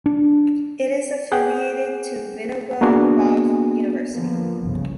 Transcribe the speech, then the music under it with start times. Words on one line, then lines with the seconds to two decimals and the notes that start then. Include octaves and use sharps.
It is affiliated to Vinoba Bhave University.
0.06 D4
1.32 G#4 F#5 G5
2.81 A#3 B3 D4 F#4 G#4
4.12 D3 F3 A#3 B3
4.64 G1 C2 C#3